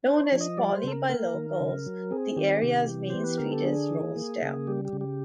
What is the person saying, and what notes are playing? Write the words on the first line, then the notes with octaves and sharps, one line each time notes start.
Known as Poly by locals, the areas main street is Rosedale.
D4 C5
C#5
F3
D#5
G3 D5
C5
C#3 A4
A#4
A#3 A#4
D#3
C#3
F#3
C4 G#4
D#3 G4
C3 G4
E3
B3 C5
B4
D3 A#4
A4
D4 G#4
E3
A#3
C#3
G3 G4
G4
C#3
G4